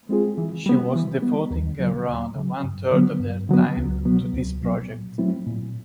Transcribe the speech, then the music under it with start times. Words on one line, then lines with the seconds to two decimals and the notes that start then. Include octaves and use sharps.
She was devoting around one third of her time to this project.
0.09 G#3 C4 F4 G#4
0.38 E3
0.66 G3 B3
0.95 E3
1.22 G3 B3
1.51 D#2
1.79 C#3 F#3
2.07 D#2
2.36 C#3 F#3
2.64 G2
2.92 D3 F#3 B3
3.20 G2
3.49 D3 F#3 B3
3.77 C#2
4.05 B2 F#3 B3
4.34 C#2
4.62 B2 F#3 B3
4.90 A#2
5.18 F#3 A3 C4 E4
5.47 A#2